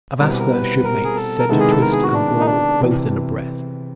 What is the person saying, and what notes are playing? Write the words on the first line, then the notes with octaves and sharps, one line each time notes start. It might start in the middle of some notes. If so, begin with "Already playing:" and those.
"Avast there, shipmates!" said Twist and Gall, both in a breath.
B2 G3 C4 E4 A#4
B4
A#4
B4
A#4
G#4
A4
A#4
C3 D#3 G#3 B3 E4 A4
G#4
A4
A#4
G#4
F#4
D4
D#4
D4
C3 E3